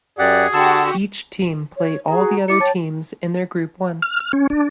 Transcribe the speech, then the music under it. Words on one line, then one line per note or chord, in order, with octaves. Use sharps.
Each team play all the other teams in their group once.
F#2 G4 G#4 D5 F#5
D3 F#4 G4 A5 E6
C#5
F#4 G#4 A#5
E4 D#5 D6 C#7
C#5 G5 A5 A6
F6
F6
C#4
D4